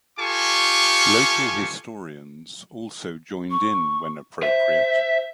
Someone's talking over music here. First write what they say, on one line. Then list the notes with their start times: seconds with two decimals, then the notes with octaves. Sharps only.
Local historians also joined in when appropriate.
0.19 F4 G4 A4 G#5 C#6
3.51 C#6
4.43 C5 E5